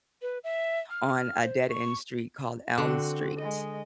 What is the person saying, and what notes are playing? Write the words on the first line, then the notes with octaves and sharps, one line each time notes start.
on a dead-end street called Elm Street.
B4
E5
F6
C5
C#6
D3 C4 F#4
G#3 D#5